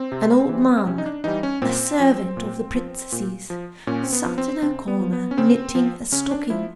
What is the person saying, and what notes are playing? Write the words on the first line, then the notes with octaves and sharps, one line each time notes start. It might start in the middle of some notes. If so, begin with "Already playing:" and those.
An old man, a servant of the princesses, sat in a corner knitting a stocking.
Already playing: C4
C3
E3 G3
C4
C3 C#4
D#4
D4
E3 G3 D#4
C#4
A#2 C4
F3
A#2
F3
A#2
F3
A#2 C#4
C4
B3
F3
C4
C#3 C4
B3
F3
B3
C#4
C#3 C4
F3
C#3 C#4
D4
F3 E4